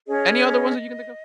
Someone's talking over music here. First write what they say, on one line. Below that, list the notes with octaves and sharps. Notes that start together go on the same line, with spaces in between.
any other ones that you can think of?
C#4 G#4 C#5 D#5